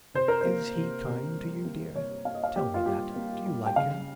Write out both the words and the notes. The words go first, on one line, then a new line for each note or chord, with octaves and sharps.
Is he kind to you, dear; tell me that; do you like him?'
C3 C5
A#4
A#3 C5
C3
C3
G3
A#3
C3 C#5
A#3 F5
D#5
F5
A#3 G4
F4
G3 G4
A#3
G3
G5
C#3 F5